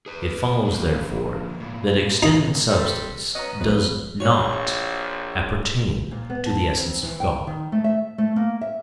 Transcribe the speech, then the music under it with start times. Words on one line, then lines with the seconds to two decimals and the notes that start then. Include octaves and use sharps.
It follows, therefore, that extended substance does not appertain to the essence of God.
0.06 G#4 B4
0.65 D3 F3 A#3
1.60 A2 A#3
2.23 D#4
2.69 G3 C4 A4
3.35 F#3 B3 C#4 D#5 A#5
3.60 B1 C#3 F3 B3 B4
4.20 A#1 F#4 C#5
6.11 A#2
6.30 B3
6.46 A5
6.77 F2
7.03 E3
7.20 G5
7.47 D#3
7.72 A3
7.84 E5
8.18 A3
8.36 A#3
8.61 E5